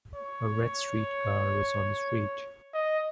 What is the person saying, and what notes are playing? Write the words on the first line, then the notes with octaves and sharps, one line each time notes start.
A red streetcar is on the street.
C#5
D#5